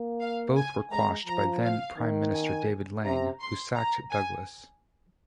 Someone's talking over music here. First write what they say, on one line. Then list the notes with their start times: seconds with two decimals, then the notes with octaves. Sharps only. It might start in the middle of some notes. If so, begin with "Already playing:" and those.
Both were quashed by then Prime Minister David Lange, who sacked Douglas.
Already playing: A#3
0.20 F5
0.56 G#5
0.91 G#3 A#5
1.27 F3 A#5
1.62 F5
1.98 D#3
2.33 G#5
3.04 C3 A#5
3.40 C6
3.76 A#5
4.11 G#5